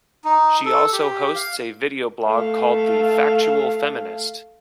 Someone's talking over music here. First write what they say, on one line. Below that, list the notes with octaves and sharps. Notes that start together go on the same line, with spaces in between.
She also hosts a video blog called "The Factual Feminist".
D#4
A4
G4
F5
A3 F5